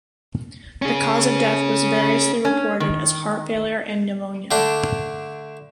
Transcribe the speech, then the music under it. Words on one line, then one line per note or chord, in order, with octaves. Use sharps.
The cause of death was variously reported as heart failure and pneumonia.
C#4 G#4
C#4
D#3
D3 A3 D4